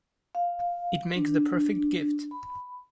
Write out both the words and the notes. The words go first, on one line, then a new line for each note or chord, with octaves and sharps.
It makes the perfect gift.
F5
D4
B5